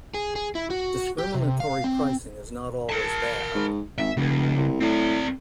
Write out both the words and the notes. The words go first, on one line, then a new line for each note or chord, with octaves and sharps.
Discriminatory pricing is not always bad.
G#4
G#4
E4
F#4
G4
C3
F5
C4
A#4 A5
G#2
G#1 E5
F1 C#2
C2
A2 C4 D5